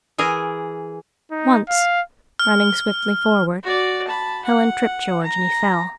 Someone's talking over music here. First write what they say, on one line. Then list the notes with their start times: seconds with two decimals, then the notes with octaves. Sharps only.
Once, running swiftly forward, Helen tripped George and he fell.
0.18 E3 G#4 A#4 A#5
1.31 D#4
1.69 F5
2.39 F6
3.63 F#4 D5
4.07 A5 B5
4.44 F#5
5.22 A#5